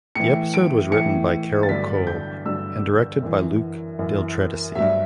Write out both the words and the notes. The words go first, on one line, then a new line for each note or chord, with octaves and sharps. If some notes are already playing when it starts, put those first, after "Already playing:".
The episode was written by Carol Kolb and directed by Luke Del Tredici.
A2 E3 C#7
D7
A2 E3 C#7
A6
G2 D3 F#3 B6
G6
G2 D3 F#3 E6
F#2 E3
F#2 E3
G2 F#3 E5